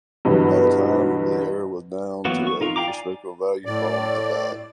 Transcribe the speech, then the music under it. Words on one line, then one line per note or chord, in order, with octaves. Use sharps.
By the time the error was down to a respectable value, Bohm had died.
G2 B2 D3 E3 F#3
E3 F#3 A#3 B3 F#4
C#6
D#4 F4 A#4
F5 G5 A#5 D6
D5 G#5
A2 D5